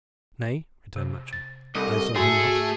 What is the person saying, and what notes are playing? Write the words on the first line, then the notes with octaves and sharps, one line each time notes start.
"Nay," returned Matcham, "I saw her not."
C3
A6
C2 A4 D#5
G#2 A3 F#4 G#4 A4